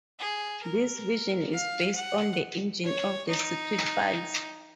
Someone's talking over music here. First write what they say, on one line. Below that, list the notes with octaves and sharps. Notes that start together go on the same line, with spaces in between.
This version is based on the engine of The Secret Files.
G#4
A#4
F5
F#5
C#5
D#4